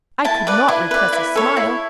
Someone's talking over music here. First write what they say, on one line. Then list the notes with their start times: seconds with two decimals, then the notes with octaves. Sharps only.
I could not repress a smile.
0.24 E4 A5
0.47 B4 D5
0.68 E4
0.91 B4 D5
1.13 E4 B5
1.36 A4 C#5
1.57 E4